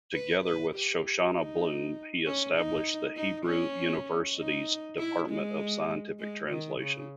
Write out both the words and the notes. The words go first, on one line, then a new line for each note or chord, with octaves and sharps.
Together with Shoshana Bloom, he established the Hebrew University's Department of Scientific Translation.
B4
B4
G4
D#4
C#4
D#4
D#4
C#4
D#4
E4
G#3
G#3
D#3
C#3